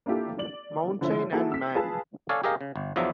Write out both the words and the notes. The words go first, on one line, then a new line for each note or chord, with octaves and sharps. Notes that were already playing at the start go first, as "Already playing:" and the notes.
Mountain and man.
A#3 D4 E4 F4 G4 A4
D5 F#7
D3 F3 C4 C#4 E4
A#3 D#4 E4 F#4 G#4 A4
E6 B6
F4 G#4 B4 A5
A4 C#5 D5 F5 G#5
G4 G#4 A#4 D#5 F5
C#3
G1
E2 F3 F#3 D4 E5